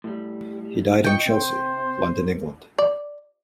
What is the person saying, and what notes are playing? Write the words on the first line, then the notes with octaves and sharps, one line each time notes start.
He died in Chelsea, London, England.
A2 G3
F4 D5 D#5 G5 C#6
C3 C5
D5